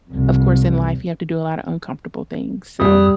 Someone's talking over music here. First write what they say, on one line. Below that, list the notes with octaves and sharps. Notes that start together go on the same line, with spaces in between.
of course, in life, you have to do a lotta uncomfortable things. So,
C2 F2
F2 G3 D#6